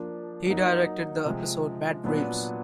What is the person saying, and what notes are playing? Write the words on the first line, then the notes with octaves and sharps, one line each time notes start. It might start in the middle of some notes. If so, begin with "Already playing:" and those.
He directed the episode "Bad Dreams".
Already playing: F3 A#3 D4
F#3 A#3 D#4
C3 F3 G#3
A#2 F#3 B3 D4 F4